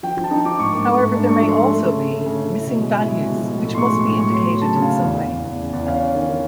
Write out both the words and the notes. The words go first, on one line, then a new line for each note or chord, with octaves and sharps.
However, there may also be "missing values", which must be indicated in some way.
F3 G5
F3
A5
D#4
F3 D6
G#2 C#6
A#3 D6
A3 C#6
G#2
D4
A3 C#6
F3
C6
A3
A3
C#3
C#3
A3
C#3
C#3
E4
B2
G#3
E4
G#3
B2
F3
A2
A2
C6
G#3 C#6
F3
C#6
A2
F#3 C#6
B3 C6
F#3
C#3 A5
C#3
F5
B3
E2
E2
E2
E2
C#3
E2
C#4 F5
C#4
D#3
D#3